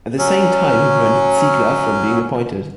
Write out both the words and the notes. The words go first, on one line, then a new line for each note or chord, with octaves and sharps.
At the same time, he prevented Ziegler from being appointed.
F#3 C#4